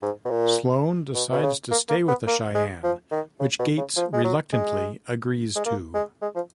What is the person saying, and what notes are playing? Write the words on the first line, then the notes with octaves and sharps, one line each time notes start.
Sloan decides to stay with the Cheyenne, which Gates reluctantly agrees to.
G#2
B2
A#2
B2
B2
C#3
A#3
A#3
B3
A#3
G#3
F3
D#3
C#3
B2
C#3
F3
G#3
F#3
G#3
G#3
A#3
G#3
G#3
F3